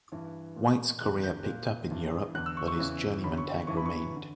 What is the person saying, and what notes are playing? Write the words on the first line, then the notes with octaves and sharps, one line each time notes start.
White's career picked up in Europe, but his journeyman tag remained.
G2 E3
A#2
E2 D3 F#6
G6
A#2
G2 E3
E2 D3 F#6
E6
C#6
C#6
E2 C#3 E3
F#2 D3 B5
C#6
G2 E3 C#6
B5
C#6
D3